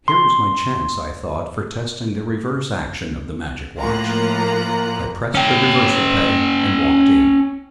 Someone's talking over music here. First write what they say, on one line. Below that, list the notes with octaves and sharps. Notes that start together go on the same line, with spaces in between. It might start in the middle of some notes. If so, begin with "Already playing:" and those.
"Here is my chance," I thought, "for testing the reverse action of the Magic Watch!" I pressed the 'reversal-peg' and walked in.
C6
A2 F3 A#3 F4 A#5 F#6
C#4 G5